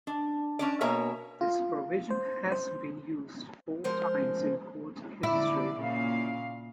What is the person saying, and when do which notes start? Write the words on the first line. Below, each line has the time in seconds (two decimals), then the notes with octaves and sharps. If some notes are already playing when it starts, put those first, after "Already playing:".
This provision has been used four times in Court history.
0.07 D4
0.59 C#4 D4 D5
0.80 B2 A#3 A#4 C#5 E5 G#5
1.41 F4
2.10 C5
2.52 C5
3.84 F3 G#3 A#4 C5
5.23 D3 E4 D5
5.78 A#2 C#3 F5